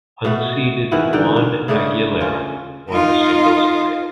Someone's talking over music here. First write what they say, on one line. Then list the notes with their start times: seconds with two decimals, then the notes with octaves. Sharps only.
Unseeded Juan Aguilera won the singles title.
0.24 B2 A3 F#4
0.91 D#3 E3 E4 F#4
1.13 D3 E3 D#4 G5
1.36 D#3
1.68 C#3 A3 D4 D#5
2.21 C#4 F4
2.90 D#4 F4